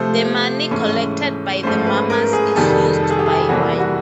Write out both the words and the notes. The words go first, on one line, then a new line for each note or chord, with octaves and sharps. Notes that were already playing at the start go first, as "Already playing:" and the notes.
The money collected by the mummers is used to buy wine.
Already playing: C3 F3 A3 C5
G#2 E3 A3 C#4
G#2 F3 A3 C#4 C5
B4
A#4
G#4
F2 C3 D#3 G3 A4
A4
G#4
G4
G#4
C3 E3 G3 A#3 F#4
F#4